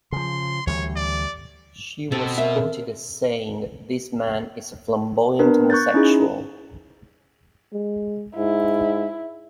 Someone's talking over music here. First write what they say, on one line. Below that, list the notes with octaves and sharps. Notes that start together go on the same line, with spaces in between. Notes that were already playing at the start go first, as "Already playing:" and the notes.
She was quoted as saying, This man is a flamboyant homosexual.
C#3 F3 C6
D2 E3 G3 C#5
D5
B2 C4 A4
A#4 E5
B3 D4 A#4 B4
C#6 F#6 G6 A6
C#4 D#4 E4 G#4
G#3
G#2 E4